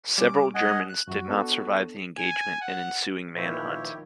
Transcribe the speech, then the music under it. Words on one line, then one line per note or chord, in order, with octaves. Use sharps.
Several Germans did survive the engagement and ensuing manhunt.
G3 C#4 D6
D#5 F#5 G#5
F#6
F#2 F#4
B3 D4 A4
G#5
F#5
A#2 D#3 F3 E4 G4 B4 C#5